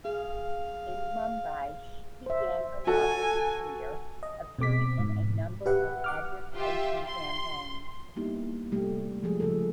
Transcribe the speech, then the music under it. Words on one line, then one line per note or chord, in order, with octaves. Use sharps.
In Mumbai, she began her modelling career, appearing in a number of advertising campaigns.
G#4 F5
C5 E5
F#4 A4 G#5
D#5
B2 C4 D6 B6
G#2
G4 B4 E5 F#5
F#5 D6 F6
F4 G4 E5
C6
G3 A#3 B3 D#4 E4 G4
C3 G3 A3 G4
F3 G#3 G#4
C#3 F3 A4